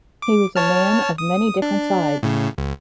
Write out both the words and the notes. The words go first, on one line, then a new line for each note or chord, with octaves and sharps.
He was a man of many different sides.
D6
C#5 A5 F6
D#6
D4
A2 C#3
C#2